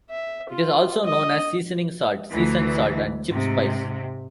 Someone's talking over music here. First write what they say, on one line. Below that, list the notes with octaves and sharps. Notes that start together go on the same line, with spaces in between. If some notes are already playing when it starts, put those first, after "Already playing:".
It is also known as seasoning salt, season salt, and chip spice.
E5
F4
D#5
D2 E3
G#2 C3